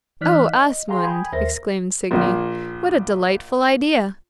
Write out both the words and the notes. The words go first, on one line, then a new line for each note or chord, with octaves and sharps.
'Oh, Asmund!' exclaimed Signy, 'what a delightful idea!
E3 D#4 D5 F6 F#6 B6
D#5
G#4 F5 G5 G#5 A#5 C6
G5 G#5 B5 D#6 G6 G#6
D#2 A#4 C5 E5 A#6
A#1 A#2